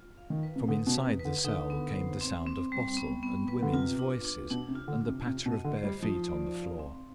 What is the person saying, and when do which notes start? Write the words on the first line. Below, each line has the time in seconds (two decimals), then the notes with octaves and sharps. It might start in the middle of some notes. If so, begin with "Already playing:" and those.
From inside the cell came the sound of bustle and women's voices, and the patter of bare feet on the floor.
Already playing: F4
0.17 F5
0.30 D#3
0.43 B4
0.56 C3
0.68 D3 D#4
0.87 B2
0.94 B4
1.07 C3
1.19 B4
1.25 D3
1.44 D3 D#4
1.70 B3
1.95 C5
2.21 C4
2.46 C4
2.72 G3
2.97 B3
3.23 B3
3.48 B4
3.62 D3
3.73 C3 F4
3.99 D4
4.25 D4
4.50 B2 D4
4.68 C3
4.75 F4
4.88 D3
5.01 F4
5.08 C3
5.26 C3 F4
5.46 B2
5.52 D#5
5.64 D3
5.77 C5
5.84 G3
6.02 F3 D#4
6.28 D5
6.54 F5
6.79 C4